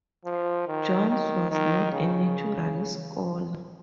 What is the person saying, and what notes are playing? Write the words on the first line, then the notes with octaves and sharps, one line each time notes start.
Johns was not a natural scholar.
F3
D#3
D#3
D#3
C#3